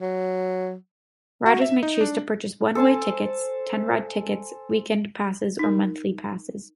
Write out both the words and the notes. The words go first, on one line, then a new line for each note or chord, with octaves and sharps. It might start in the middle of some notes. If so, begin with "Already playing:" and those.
Riders may choose to purchase one-way tickets, ten-ride tickets, weekend passes or monthly passes.
F#3
F#4
E5
D#4
D4
A4 C5 G#5 A5
D#4 A#4